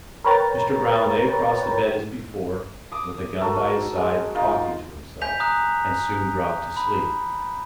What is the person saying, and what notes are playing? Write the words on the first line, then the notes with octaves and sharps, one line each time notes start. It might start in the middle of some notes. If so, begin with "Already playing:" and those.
Mr. Brown lay across the bed as before, with the gun by his side, talking to himself, and soon dropped to sleep.
A#4 B4 C#5 G5 A#5 A6
D6 D#6
F#4 A4 A#4
G#3
D#4 F4
G#5 G6 B6 F7
A#5 D#6 F#6
B5